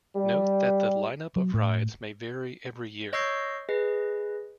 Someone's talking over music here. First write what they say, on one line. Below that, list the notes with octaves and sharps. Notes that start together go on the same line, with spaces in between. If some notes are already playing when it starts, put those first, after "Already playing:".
Note that the lineup of rides may vary every year.
G3
F#3
A2
C#5 D#5 C#6 E6 G6 C7
G#4 B4 D#5